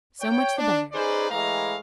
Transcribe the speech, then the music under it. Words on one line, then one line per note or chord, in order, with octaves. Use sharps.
"So much the better."
C#5 G5
D4
C#4 D#4 G#4 B4 C5 D5
A2 E3 G#3 F5 A#5